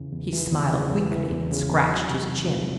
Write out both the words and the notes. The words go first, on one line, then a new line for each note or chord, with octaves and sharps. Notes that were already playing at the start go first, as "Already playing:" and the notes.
He smiled weakly and scratched his chin.
Already playing: E2 C#3 E3
E2
E3
E2
C#3
E2
E3
E2
C#3
E2
F#3
C3
D#3
C3